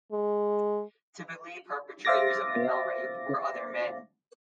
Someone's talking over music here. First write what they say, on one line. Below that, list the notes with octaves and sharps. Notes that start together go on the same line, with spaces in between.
Typically, perpetrators of male rape were other men.
G#3
C5 E5 F5 D6 A6 A#6